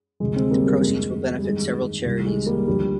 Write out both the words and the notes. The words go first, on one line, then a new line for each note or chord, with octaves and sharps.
The proceeds will benefit several charities.
D2 C3 F3 G#3
G#3 C4
G3 A#3
G3 A#3
F2 D3 F3 G#3
G3
G2 D#3 G#3
C2 C3 D#3 G3
G#3
G3 A#3
D2 D3 F3 G3